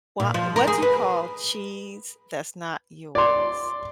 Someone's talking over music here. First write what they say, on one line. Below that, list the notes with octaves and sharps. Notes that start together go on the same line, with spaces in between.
wha what do you call cheese that's not yours?
A#2
F3
A#4
G#4
B4
D5 C6